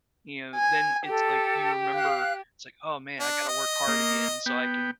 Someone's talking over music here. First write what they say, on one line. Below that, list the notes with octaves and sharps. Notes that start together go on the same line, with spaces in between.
you know, then it's like you remember it's, like, "Oh, man. I gotta work hard again so I can
G#5
G4 A4
F5 F#6
D4
D#5
A#3
B3 G5